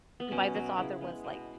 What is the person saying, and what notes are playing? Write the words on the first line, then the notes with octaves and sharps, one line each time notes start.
by this author was, like,
B3
B2 C#4
F#3 B3
C#3 E4
G#3 B3
B2